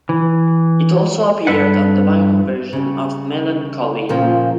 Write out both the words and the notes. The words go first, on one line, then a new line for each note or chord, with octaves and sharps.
It also appeared on the vinyl version of "Mellon Collie".
E3
G2 A4 B4 F#5
C#3 G3
A#2 C#3 F3 A#3 F4 G5